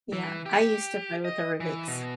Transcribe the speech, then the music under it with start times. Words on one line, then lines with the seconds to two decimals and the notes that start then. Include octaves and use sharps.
Yeah. I used to play with the Rubik's
0.12 E3
0.46 G4
1.25 D#5
1.60 E3
1.88 B2